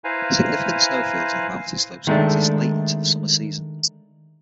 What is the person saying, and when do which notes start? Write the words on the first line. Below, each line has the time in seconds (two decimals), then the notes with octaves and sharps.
Significant snow fields on the mountain slopes can exist late into the summer season.
0.04 E4 B4 C5 F5 G#5 A#5
2.07 D#3 G#3 A3 D4